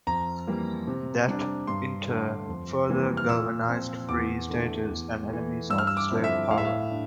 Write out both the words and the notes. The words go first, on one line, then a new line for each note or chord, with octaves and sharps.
That, in turn, further galvanized Free-Staters and enemies of Slave Power.
F2 A#5
E3 G3 A#3
C3
G3 D4
G2 C6
D3 A3
F2
C3 E3 G3 A#3
F6
A#2 E6
F3 C4
E2 D6
D3 A3
E2
E3 A3
G2 E6
F6
E6
D6
D3 F3 C4 E4
E5
A2 F5
E5
F5
D4